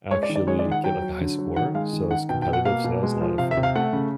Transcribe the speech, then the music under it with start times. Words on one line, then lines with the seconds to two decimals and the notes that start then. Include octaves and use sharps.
actually get, like, a high score, so it's competitive, so that was a lotta fun.
0.11 G#3 C#5
0.23 D5
0.29 D#3
0.36 D5
0.47 G#3 C#5
0.59 D5
0.65 D#3
0.72 F#5
0.84 F#3 G5
1.02 F#3
1.21 D3
1.39 F#3
1.56 D#3 F#5
1.75 G#3 F5
1.93 D#3
2.11 D#3 F#5
2.29 B2 G5
2.42 G5
2.48 B2
2.53 F#5
2.65 A#3 F5
2.84 B2
3.03 G#3
3.21 F3
3.38 C3 F5
3.51 E5
3.57 C3
3.63 F5
3.75 A3 F#5
3.93 C#3